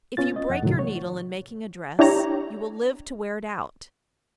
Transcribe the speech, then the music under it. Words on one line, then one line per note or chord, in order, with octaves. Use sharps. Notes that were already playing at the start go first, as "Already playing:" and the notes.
If you break your needle in making a dress, you will live to wear it out.
B3 C#4 F4 A6
D#5
F2 F#5
D2 A2 C3 D#3 F#3
C#5
D4 E4 G4 C#5 A#5